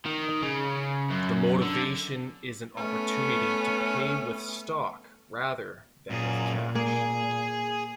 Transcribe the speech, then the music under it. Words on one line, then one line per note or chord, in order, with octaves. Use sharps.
The motivation is an opportunity to pay with stock rather than with cash.
D#3
C#3
F#2
D3
A3 B3 C#4
F#2 A#2 G#4
A#3 G#4 G#5